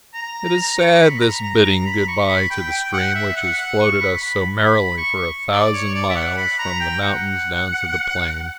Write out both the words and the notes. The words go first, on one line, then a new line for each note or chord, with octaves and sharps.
It is sad, this bidding good-bye to the stream which has floated us so merrily for a thousand miles, from the mountains down to the plain.
A#5
C#6
B5
A#5
A#5
A#5
B5
C#6
B5
G5
G5
F#5
E5
F#5
F#5
C#6
B5
B5
B5
C#6
D5
C#5
D5
E5
F#5
B5
A#5
G5
F#5